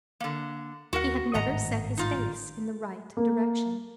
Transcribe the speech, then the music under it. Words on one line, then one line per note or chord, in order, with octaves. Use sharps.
He had never set his face in the right direction.
D3 A#3
D#2 F#4 A#4 F#5
G#1 A2 D#5 F#5 A#5
D#4 F4
A#3